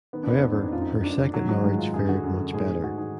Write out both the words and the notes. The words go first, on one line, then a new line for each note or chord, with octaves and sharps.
However, her second marriage fared much better.
D#3 B3
D4
F2 B3
D#3 B3
D4
F2
D#4
F#2 F4
D#4
F#2
F#2 D4
F#2
D#3 F#3
D#3 F#3
G#2 G#3
D#3 F4
F#2 G#4
D3 F#4
F#2
D3
G#2 G#4
G#2
G#2 F#4
D#3 G#4